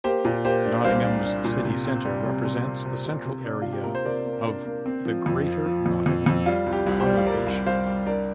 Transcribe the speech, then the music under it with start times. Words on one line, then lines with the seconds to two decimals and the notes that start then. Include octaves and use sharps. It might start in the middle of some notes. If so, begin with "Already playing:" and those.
Nottingham's city centre represents the central area of the Greater Nottingham conurbation.
0.04 A#3 G4 C5
0.25 A#2
0.45 A#3 G4 C5
0.65 D4
0.85 C2 C5 F5
1.05 D4
1.25 D4
1.44 A#2
1.65 C3
1.85 C4
2.05 G3
2.25 C3
2.45 C3
2.65 C4
2.85 C3
3.06 C3
3.25 C3
3.45 D4
3.62 C3 F4
3.73 G4
3.84 A#3 A#4
3.95 C5
4.05 C3 A#4 D5
4.25 A#3
4.46 D4
4.66 A#3
4.86 C4
5.05 F3
5.26 F2
5.46 F3
5.66 F3
5.86 F2
6.06 F2
6.26 F2
6.46 G3 F4
6.66 C2
6.73 G4
6.86 C2
7.00 G4 C5
7.06 G3
7.17 F5
7.26 G3 A#4 D5
7.47 C2
7.66 C2 C5 F5
7.86 G3
8.06 D4 A#4 D5